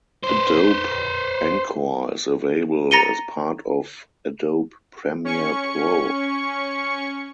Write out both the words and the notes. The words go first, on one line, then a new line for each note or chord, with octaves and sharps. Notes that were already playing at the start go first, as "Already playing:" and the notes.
Adobe Encore is available as part of Adobe Premiere Pro.
B4 C5
A#5 A6 A#6 C#7 D#7 G7
C#4 C#6 C#7